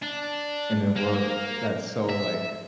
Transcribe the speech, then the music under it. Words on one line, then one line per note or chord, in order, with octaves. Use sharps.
In a world that's so, like
D4
A#3
E5